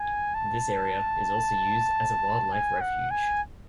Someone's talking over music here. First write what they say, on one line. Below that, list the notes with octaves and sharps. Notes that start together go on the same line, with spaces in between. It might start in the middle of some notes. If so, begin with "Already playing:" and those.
This area is also used as a wildlife refuge.
Already playing: G#5
A5
G#5
F#5
G#5